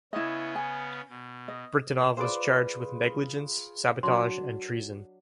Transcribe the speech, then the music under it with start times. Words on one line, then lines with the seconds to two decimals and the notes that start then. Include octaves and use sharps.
Britanov was charged with negligence, sabotage, and treason.
0.13 C#3 B3 C#4 E4 D#5
0.55 G#5
1.09 B2
1.48 D#5
2.17 F4 G#4 B4 C5 D5
4.03 F#3 D4 C6